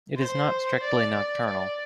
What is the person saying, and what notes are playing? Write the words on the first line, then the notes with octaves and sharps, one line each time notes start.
It is not strictly nocturnal.
C5
D5
D5
D5